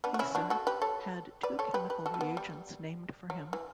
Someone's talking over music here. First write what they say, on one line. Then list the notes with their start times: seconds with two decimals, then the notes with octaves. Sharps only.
Fieser had two chemical reagents named for him.
0.04 B3 D4
0.14 F#4
0.19 C#4 E4
0.35 D4 F#4
0.50 F#4 A4
0.67 G4 B4
0.82 A4 C#5
1.43 B4 D5
1.59 A4 C#5
1.74 G4 B4
1.90 G4 B4
2.06 F#4 A4
2.14 A3
2.21 B3
2.37 G3
3.30 F#3
3.53 E3